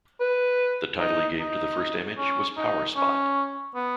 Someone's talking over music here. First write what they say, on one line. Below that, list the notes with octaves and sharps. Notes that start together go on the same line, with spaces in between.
The title he gave to the first image was Power Spot.
B4
D#4
D#4
C#4
D#4
C#4
B3